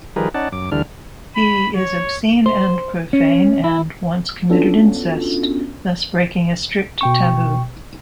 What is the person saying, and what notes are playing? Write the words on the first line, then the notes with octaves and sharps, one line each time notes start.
He is obscene and profane and once committed incest, thus breaking a strict taboo.
D#3 F3 G3 G#4 A#4 B4
C#4 D#4 D5 F#5 A5
F#2 D6
D2 D3 E3 G3 D4 F6
B5
C#5
C5
C#4
E4
B3 C#4 D4 F4 F#4 A4
B2 G5 C#6